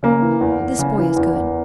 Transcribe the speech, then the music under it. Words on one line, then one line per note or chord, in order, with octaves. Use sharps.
"This boy is good."
C#3 A#3
E3
E2
E2
C#3
E3
E2
E2